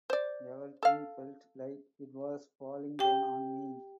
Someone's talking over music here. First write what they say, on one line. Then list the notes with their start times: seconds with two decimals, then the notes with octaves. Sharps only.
Everything felt like it was falling down on me.
0.10 C5 D5
0.83 A4 F5
2.99 G4 G5